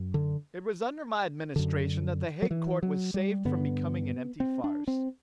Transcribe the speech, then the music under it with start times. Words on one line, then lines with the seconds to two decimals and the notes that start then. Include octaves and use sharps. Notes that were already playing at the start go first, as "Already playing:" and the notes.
It was under my administration that the Hague Court was saved from becoming an empty farce.
Already playing: F#2
0.14 D3
1.56 F#2 D3
2.42 F#3
2.51 E3
2.83 F#3
3.14 G3
3.45 G2 D3 B3
4.40 C4
4.64 D4
4.88 C4